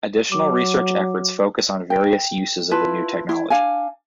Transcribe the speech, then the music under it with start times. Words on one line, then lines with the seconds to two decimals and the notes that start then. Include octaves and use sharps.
Additional research efforts focus on various uses of the new technology.
0.32 F#3 D6
1.90 G5
2.71 E4 F4 B4 A5
3.29 E4
3.50 D4 F5 G#5